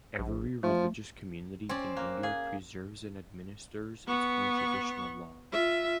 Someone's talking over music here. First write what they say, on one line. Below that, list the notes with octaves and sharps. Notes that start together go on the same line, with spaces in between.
Every religious community in India preserves and administers its own traditional law.
A#1
F3 A3
C4 C#4 D5 C6
A#3 F#6
G#4 F5
B3 C#6
F4 E5